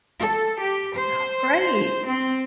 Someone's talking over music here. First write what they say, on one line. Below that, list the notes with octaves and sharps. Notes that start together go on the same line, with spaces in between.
Oh, great.
A4
G4
C5
C4